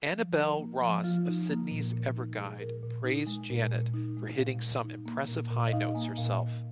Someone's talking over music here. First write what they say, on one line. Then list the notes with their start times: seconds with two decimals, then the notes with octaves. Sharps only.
Annabel Ross of Sydney's "Everguide" praised Janet for "hitting some impressive high notes herself".
0.14 F3
0.37 D#4 A#4
0.59 A#3
0.81 F3
1.04 F3 F4
1.26 D#4
1.49 A#3
1.71 A#2
1.93 A#2
2.16 D#4
2.38 G#3 G#4
2.60 A#2 A#4
2.83 A#2
3.04 D#4
3.27 G#3
3.50 A#2
3.72 A#2
3.94 D#4
4.17 G#3
4.39 A#2 F5
4.61 A#2
4.84 D#4
5.06 A#3
5.28 A#2
5.51 A#2
5.67 D#5
5.72 D#4 F5
5.95 A#3 G#5
6.08 D#5
6.17 A#2 F5
6.40 A#2